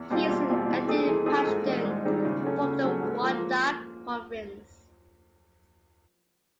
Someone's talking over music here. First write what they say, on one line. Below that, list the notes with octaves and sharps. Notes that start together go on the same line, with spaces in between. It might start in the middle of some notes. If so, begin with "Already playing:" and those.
He is an ethnic Pashtun from the Wardak province.
Already playing: E2
B2 G3 C4 F4
E2
B2 G3 C4 F4
E3
A3 C4 D#4 G#4
E3
A3 C4 D#4 G#4
G#2
D#3 G3 C4 D#4
G#2
D#3 G3 C4 D#4
C#3
F#3 A3 C#4
C#3
F#3 A3 C#4
G#2
F3 A#3